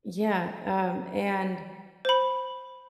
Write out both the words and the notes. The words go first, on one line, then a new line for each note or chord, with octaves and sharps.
Yeah, um, and
C5 B5